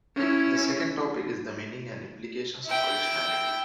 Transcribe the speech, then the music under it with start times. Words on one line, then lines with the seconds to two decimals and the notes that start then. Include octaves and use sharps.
The second topic is the meaning and implications of rationality.
0.16 C#4 E4
2.65 E4 G5